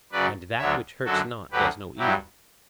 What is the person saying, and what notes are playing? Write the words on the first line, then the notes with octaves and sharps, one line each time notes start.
And that which hurts not does no evil?
F#2 C#3 F#3 B4 D5
D2 D3 F#3 C#5 E5
F#2 D3 F#3 F#4 A4
D2 D3 F#3 G4 B4
G2 F#3 E4 G4